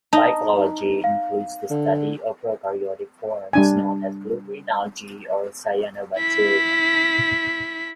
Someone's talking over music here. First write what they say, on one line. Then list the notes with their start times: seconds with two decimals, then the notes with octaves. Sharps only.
Phycology includes the study of prokaryotic forms known as blue-green algae or cyanobacteria.
0.13 D#4 A5
1.04 F5
1.71 D3
3.53 G3 D4 G#5
6.18 E4 B6